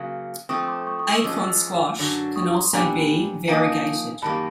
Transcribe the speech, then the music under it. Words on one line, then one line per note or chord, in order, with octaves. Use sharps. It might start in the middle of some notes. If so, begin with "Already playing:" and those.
Acorn squash can also be variegated.
Already playing: C#3 F#3 A#3
F3 A3 C4 C#6 D#6
C6 D6
C#6 D#6
C#6 D#6
D6 E6
F3 G#3 C#4 D6 E6
D6 E6
F#2 D3 F#3
C#6 D#6
A#5 C6
A#2 G3 B3 D4 G#5 A#5
F3 A#3 D#4 G#5 A#5
F#2 D#3 G3 A#3 A5 B5